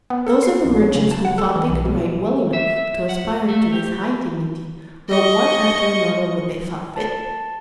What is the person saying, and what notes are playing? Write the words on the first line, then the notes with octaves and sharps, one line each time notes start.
Those of the merchants who thought they could write well enough to aspire to this high dignity, wrote one after another what they thought fit.
B3
A4
C7
A#1
F#3
C#3
A5
F#5
A4
E3
B1
B2
E5
F#5
A3
G4
D#5 C#6
A5